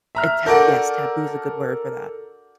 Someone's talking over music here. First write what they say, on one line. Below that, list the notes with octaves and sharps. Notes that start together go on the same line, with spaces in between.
Eh, ta Yes, taboo's good word for that,
E5 A#5 F6
D4 F#4 A4 A#4 G6 A#6 D7